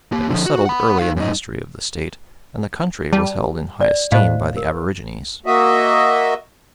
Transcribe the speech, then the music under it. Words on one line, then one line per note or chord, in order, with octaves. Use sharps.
It was settled early in the history of the State, and the country was held in high esteem by the aborigines.
A#3 G4
D3 F3
F#4
F#5 B5
D#4 F5
F#2 D#4
G3 A5
D5
A2 C5 D#5 F5
A#4
A#3 F#4 D#5 E5